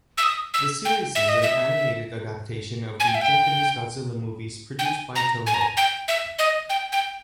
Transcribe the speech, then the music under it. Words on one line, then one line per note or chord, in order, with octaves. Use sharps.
The series is an animated adaptation of the Japanese "Godzilla" movies produced by Toho.
E6
D#6
E6
G5
E5
D#5
E5
G#5
G5
E5
G5
G5
G#5
A#5
G#5
A#5
G#5
G5
E5
D#5
G5
G5